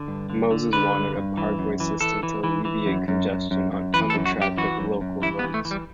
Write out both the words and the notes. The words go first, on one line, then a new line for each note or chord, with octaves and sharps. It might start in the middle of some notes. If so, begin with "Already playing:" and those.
Moses wanted a parkway system to alleviate congestion on "unattractive" local roads.
Already playing: D3
G2
D3
D3
D3 B4
G2
G2
E3
F#2
E3
E3 A4
E3
E3
E3
F#2
F#2
F#2
F#2
F#2
E3 B4
A4
F#2
F#4
F#2 G4
E3 F#4
F#2
F#2
E3 E4
B3
E3
A3
E3
G3